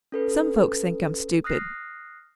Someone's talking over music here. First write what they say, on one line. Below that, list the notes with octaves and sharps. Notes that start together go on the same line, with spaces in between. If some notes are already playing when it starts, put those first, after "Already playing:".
Some folks think I'm stupid.
C#4 A4 B4
D#6 F6 F#6 A#6 C7